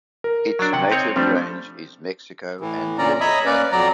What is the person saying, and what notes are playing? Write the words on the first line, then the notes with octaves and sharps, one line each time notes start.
Its native range is Mexico and Venezuela.
A#4
F#3 D4
C3 F#5 G5
C4 D#4 C#5
F3 G3 A3 C4 D4
A2 E3
A#2 D3 C#4 D5 A#5
C#5 D#5 E5 A#5 B5 D#6
A#3 C#4 B4 D5
F2 F#3 D5 A#5